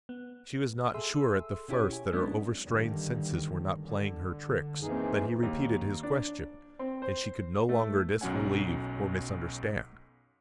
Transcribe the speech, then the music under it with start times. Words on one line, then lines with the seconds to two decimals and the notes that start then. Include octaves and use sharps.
She was not sure at the first that her overstrained senses were not playing her tricks; but he repeated his question, and she could no longer disbelieve or misunderstand.
0.09 B3
0.94 G#4 A4 E5 C6 E6
1.68 B2 C#4 E4 G4 G#4 C#5
1.93 G#5
2.12 F#3 G#3 B3 C#4 D4 E4
2.65 G2 D3 D#3
3.86 D3
4.82 F#2 E3 A#3 C4 D#4 G#4
5.43 D#2
6.03 D4
6.79 C4
7.02 C5
7.69 A3
8.21 B1 F#2 F#3 C#4 F#5 G#5